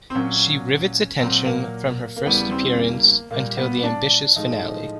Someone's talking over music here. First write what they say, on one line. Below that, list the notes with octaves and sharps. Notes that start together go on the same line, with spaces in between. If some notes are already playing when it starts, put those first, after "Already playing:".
She rivets attention from her first appearance until the ambitious finale.
C4
A#2 F#3 C#4
A#2 F#3 C4
A#3
A#3
E2 C#3 E3 G3 B3
C4
A#3
A#2 G3 A#3
B3
D4
A2 F3 G#3 D#4